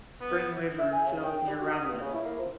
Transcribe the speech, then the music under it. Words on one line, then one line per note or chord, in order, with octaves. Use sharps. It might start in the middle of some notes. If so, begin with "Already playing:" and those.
Spring River flows near Ravenden.
B3
E5
G#5
C#3
G5
G3
F#4
D#6
G2
C#3
E4
A#3
F3